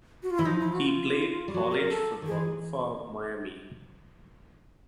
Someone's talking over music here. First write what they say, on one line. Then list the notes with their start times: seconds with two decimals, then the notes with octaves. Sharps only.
He played college football for Miami.
0.23 F#4
0.31 F4
0.39 E3 E4
0.45 F3 D#4
0.59 E4
0.73 F#4
0.86 F4
1.48 G3
1.54 F#3 F#4
1.72 A#4
1.91 A4
2.22 D#3
2.26 G#4
2.31 E3